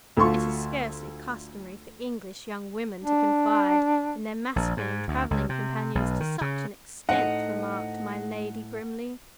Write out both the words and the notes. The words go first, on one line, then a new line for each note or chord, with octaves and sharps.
"It is scarcely customary for English young women to confide in their masculine travelling companions to such an extent," remarked my lady grimly.
D2 A3 F4 C6 C#6
D4
A#1
G#2
D2
C#2
C3
B1
D#3
C#3
A2 D#4 C5 F#5